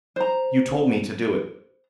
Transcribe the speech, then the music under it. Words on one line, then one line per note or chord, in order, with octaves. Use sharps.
"You told me to do it."
C5 A#5